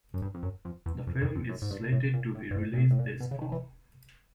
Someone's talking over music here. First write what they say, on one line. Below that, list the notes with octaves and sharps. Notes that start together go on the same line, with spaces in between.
The film is slated to be released this Fall.
F#2
G2
F2
F#2
F2
E2
F2
F2
F2
F#2
G#2
G2
A2
A#2
A2
G2
G#2
A#2
A2
A2
A#2
B2
C#3
D#3
E3